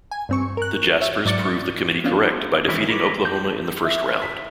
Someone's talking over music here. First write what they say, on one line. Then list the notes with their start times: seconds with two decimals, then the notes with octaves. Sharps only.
The Jaspers proved the committee correct by defeating Oklahoma in the first round.
0.11 G#5
0.29 G2 C4 C#6
0.57 A#4 F#6
1.00 C#5 E5
1.25 G#2 F#3 D5 D6 A6 C#7
2.04 B3 C#4 D4 F4
2.68 D#3 E3 G3 G#3 E4
2.88 A#4 B4 C#5 D5
3.25 G6
3.85 E5
4.22 B6